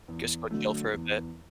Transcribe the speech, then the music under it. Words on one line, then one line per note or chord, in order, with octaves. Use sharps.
Just go chill for a bit.
E2
D3 F#3 A3
E2